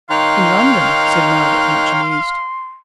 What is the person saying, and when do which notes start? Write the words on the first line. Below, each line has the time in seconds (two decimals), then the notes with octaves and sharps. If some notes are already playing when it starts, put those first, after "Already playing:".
'In London,' said Margaret, much amused.
0.10 D#3 D#4 C#5 F5 G5 A#5 C6 F#6